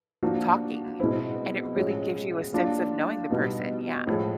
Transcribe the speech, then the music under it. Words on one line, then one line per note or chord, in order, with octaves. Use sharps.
talking, and it really gives you a sense of knowing the person. Yeah.
F3 A#3 D4 F#4
B2 G#3 C4 E4
A2 F3 G#3 C#4 F#4
F#3 A#3 D4 F4
B2 G3 B3 D#4
A2 F3 G#3